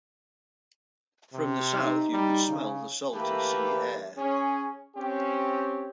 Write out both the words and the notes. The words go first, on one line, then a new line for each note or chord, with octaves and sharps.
From the south you could smell the salty sea air.
C3
D#4
G3
C#3
E3 A3 A#3 G4 A4 B4
C#4 G#4
C4 C#4 G4